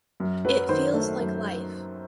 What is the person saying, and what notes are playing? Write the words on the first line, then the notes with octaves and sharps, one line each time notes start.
It feels like life.
F#2
F#3 B4
D#3 C5
A3
F#2